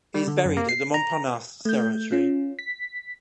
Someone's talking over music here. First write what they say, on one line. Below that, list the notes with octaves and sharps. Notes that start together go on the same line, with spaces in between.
He is buried at the Montparnasse Cemetery.
G3
D3
F#2
A#3
C7
A#5
A3 G6
C#4 F4
B6